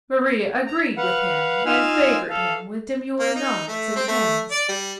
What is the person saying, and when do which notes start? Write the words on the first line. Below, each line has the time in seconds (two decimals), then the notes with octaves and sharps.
Maria agreed with him and favoured him with demure nods and hems.
0.67 A#5
0.97 B4 F5 F#5
1.66 D#4 F4 F5 G#5 E6 F6
2.30 A4 F5
3.20 A#3
3.35 D#4
3.68 A3
3.96 C4
4.08 A3
4.51 D5
4.69 G3